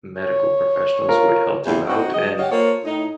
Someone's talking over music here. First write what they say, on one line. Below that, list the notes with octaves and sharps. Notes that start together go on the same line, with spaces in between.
medical professionals who would help you out, and
C#5
F4 A#4
E2 C3 E3 A3 F4
C4 D#4 F#4
F#3 G#4 D#5
G4 C#5 D#5 F5 F#5
A#3 F4 A4 C5 C#5
A2 D#4